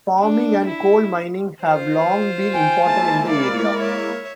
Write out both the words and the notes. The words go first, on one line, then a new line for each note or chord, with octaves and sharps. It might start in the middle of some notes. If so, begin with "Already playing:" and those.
Farming and coal mining have long been important in the area.
D4
E4
F4 C5
G5 G#5
G#3 A#3 E4 A5
A#4 D5
C#5 E5